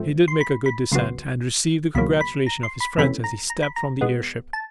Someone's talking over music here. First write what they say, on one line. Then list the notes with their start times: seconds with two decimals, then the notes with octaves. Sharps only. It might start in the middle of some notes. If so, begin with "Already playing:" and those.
He did make a good descent, and received the congratulation of his friends as he stepped from the airship.
Already playing: G#2 F3 A3 C4
0.28 C6
0.41 B5
0.66 B5
0.92 C#2 C#3 F#3 B3 C6
1.95 C#2 B2 F#3 A#3 B5
2.21 B5
2.47 A#5
2.63 C6
2.80 B5
2.98 F2 C3 E3 A3 C#4 B5
3.24 A#5
3.50 A#5
3.63 B5
3.76 A#5
4.01 B2 G#3 B3
4.53 A5